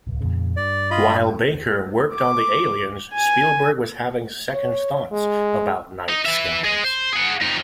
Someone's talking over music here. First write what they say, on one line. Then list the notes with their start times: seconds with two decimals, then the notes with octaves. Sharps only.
While Baker worked on the aliens, Spielberg was having second thoughts about "Night Skies".
0.07 D1 C2
0.21 F2 A#2 C#3
0.57 G2 D5
0.91 F4 D#5 B5
2.13 D6
3.13 G#5
4.51 C#5
5.12 G#3
6.09 D#4
6.25 E3 E5
6.64 G#4 D#5
6.84 C5
7.12 G#4 F#5
7.41 F2 D#4